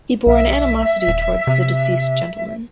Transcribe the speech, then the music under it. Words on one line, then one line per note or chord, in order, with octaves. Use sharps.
He bore an animosity towards the deceased gentleman.
B1 E5
D#1
C3